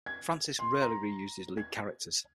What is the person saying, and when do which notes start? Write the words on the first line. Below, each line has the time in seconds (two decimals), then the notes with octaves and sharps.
Francis rarely re-used his lead characters.
0.06 G#6
0.59 C6
0.82 A#5
1.57 G#6